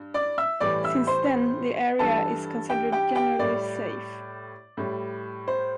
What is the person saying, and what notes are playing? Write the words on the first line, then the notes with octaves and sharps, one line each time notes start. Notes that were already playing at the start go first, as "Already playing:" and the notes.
Since then, the area is considered generally safe.
Already playing: G2
D5 D6
E5 E6
A2 E3 G3 D5 D6
E5 E6
C5 C6
G2 E3 G3 A4 A5
G4 G5
G4 G5
G4 G5
A2 G3 D5
A2 G3
C5